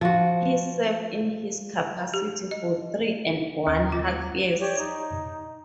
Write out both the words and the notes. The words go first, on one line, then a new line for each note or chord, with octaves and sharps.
He served in this capacity for three and one half years.
F3 F#4
G4
D#5
D#2
F4
G4 C#5 D5
D#4